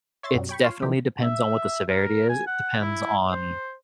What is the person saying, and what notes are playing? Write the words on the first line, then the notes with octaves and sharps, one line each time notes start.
it's definitely depends on what the severity is, it depends on
C#5 E5 C6 A6
F#2 B2 F#3 G3
C#5 G5 B5 C#6
F4 C#5 F5 C6
D3 E3 F3 C4 D#4 G4
E5
A#4
G#5
F#5
E4
C5